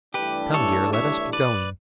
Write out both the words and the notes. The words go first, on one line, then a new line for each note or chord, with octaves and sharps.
Come, dear; let us be going.'
G2 E3 A3 D4 G4 B4
A4 C#5
C#5 E5
B4 D5